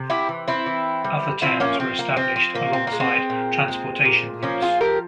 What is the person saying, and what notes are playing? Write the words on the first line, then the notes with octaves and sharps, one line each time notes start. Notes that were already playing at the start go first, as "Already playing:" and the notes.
Other towns were established alongside transportation routes.
Already playing: C3
E4 G4
E3
C4 E4
E3
G3
F3 C4 E4
A#3 C#4
F3 C4
A#3
F3 C4
C4
A#2 A#3
C4
G#3 A#3
C4
A#2
G#3
A#2
F3 A#3 C#4
F4 G#4
F3 G4 A#4